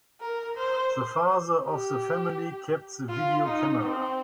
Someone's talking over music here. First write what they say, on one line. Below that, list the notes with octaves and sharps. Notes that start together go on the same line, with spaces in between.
The father of the family kept the video camera.
A#4
C5
G4
F4
D#4
C4